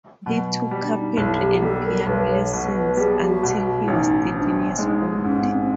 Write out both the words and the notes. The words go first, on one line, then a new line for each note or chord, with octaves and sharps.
He took carpentry and piano lessons until he was thirteen years old.
G3
B2 F#3
G3
D4
D#4
B1 E4
G4
G3 A4
A#4
B1 B4
C#5
B2
B4
G3 G#4
G4
F#4
B2
E4
A1 D#4
F3 D4
G#3 D#4
G#2 C#4
B3
C4
C4